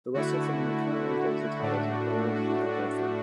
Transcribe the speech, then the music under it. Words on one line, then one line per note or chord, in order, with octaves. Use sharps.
The Russell family currently holds the titles of Earl and Duke of Bedford.
D3 A3 E4 F#4
A2 A3 D4
F#4